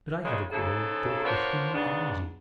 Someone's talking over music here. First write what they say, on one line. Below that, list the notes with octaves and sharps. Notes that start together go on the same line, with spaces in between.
But I have a quarrel both with him and you.
F#2 C#3 G#3
G#2 C#3 A4
B3 D4 F4 A#4 C5 C#5
D#2 G#2 C#3 B3 D4